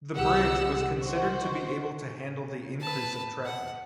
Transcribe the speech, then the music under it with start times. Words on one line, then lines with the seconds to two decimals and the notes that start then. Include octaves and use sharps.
The bridge was considered to be able to handle the increase of traffic.
0.15 C2 G#3 G4 F#5 E6
0.98 D#3 F#4 C5
2.80 B4 A5
3.45 F#5